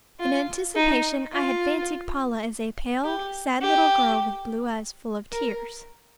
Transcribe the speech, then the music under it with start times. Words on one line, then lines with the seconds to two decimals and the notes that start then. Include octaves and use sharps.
In anticipation I had fancied Paula as a pale, sad little girl with blue eyes full of tears.
0.19 F4
0.76 D#4
1.33 F4
3.04 G4
3.61 G4
5.32 A#4